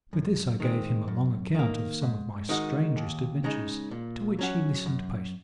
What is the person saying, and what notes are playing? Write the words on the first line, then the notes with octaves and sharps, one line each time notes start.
With this I gave him a long account of some of my strangest adventures, to which he listened patiently.
F#2
D#3 G#3 C4
F#2
D#3 A#3
G#2
D#3 G#3 D#4 F#4
D#2
C#3 G#3 D#4
A#2
F#3 C#4 F#4
F#2